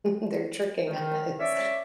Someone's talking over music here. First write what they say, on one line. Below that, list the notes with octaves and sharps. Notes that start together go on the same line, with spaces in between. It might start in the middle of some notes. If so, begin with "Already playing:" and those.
they're tricking us.
D#3
C#4 D5 E5